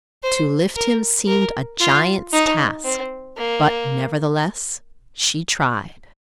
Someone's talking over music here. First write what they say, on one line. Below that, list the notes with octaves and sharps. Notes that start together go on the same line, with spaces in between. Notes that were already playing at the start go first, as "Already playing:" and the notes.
To lift him seemed a giant's task; but nevertheless she tried.
C5
A#4
A#4
F4
D#4
C4
A#3